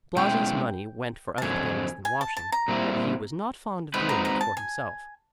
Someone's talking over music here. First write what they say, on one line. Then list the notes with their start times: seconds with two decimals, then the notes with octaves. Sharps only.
Blasi's money went for other things than washing, and he was not fond of doing it for himself.
0.16 B2 G#3 C#4 E4 G5
1.38 A5
1.42 F2 D3 F#3 G#5
2.05 G#5
2.21 A5
2.37 A5
2.52 A#5
2.68 A#2 G3 C4 E4
3.94 G#3 C4 D#4 F#4 B4 B5
4.09 A#5
4.25 A#5
4.41 A5
4.57 G#5